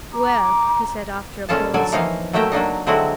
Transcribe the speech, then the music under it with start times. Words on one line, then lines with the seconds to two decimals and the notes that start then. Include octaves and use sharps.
"Well?" he said after a pause.
0.13 A#5 D6
1.49 A#2 G#3 C#4 F4 A4 A5
1.74 D3 F#3 A4 D5 G#5
1.92 E3 F3 A#3 D#4 C#5 F5
2.33 F#3 A3 A#3 E5 G5 A#5
2.52 F#3 A#3 D4 D#4
2.87 D3 F#3 G#3 C4 E4 F#4